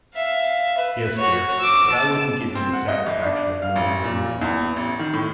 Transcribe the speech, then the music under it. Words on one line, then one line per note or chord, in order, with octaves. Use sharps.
"Yes, dear; but I wouldn't give him the satisfaction of knowing I realized it."
E5 F5
B4
F#4 C#5
D6 E6
A5
C4
F#5
D#5
G1
D4
F5
A1
A#2
E2
A1
D#3
A2